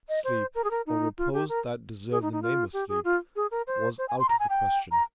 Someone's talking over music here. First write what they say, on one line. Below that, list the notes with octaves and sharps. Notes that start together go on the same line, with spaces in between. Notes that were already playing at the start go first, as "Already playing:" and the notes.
Sleep, or repose that deserved the name of sleep, was out of the question.
D#5
C5
A#4
G#4
A#4
D#4
F4
G4
A#4
G#4
D#4
D#4
F4
G4
G#4
F4
G#4
A#4
C5
C5
G#5
C6
A#5
G#5
G5
A#5